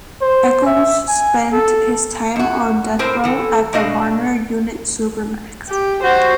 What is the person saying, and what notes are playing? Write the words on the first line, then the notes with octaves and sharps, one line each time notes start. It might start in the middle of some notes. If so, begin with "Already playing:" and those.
Echols spent his time on death row at the Varner Unit Supermax.
C5
E5
G#5
A4
F#2 F#4
A2 C4 A#4 C5
E3 A4
B2 A3 D4 F#4 D#5 F5
G4
F#4 C5